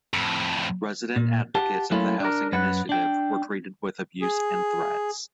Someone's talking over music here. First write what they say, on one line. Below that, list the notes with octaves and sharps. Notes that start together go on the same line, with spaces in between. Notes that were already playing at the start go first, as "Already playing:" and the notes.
Resident advocates of the housing initiative were treated with abuse and threats.
F2 A2
A#2
G4 F#5 A5
F#3 A3 A#3 C#4 E4 F4
D4 A#4
F#2 B4 F#5
D4 G5
G#4